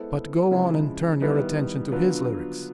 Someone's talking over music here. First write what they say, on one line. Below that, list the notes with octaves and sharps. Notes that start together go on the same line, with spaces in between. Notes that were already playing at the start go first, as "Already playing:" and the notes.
But go on and turn your attention to his lyrics.
Already playing: G#3 B3 E4 A4 C5
C#3 F3 G#3 C4 E4
D#3 G3 B3 E4
D3 F#3 B3 D4 F4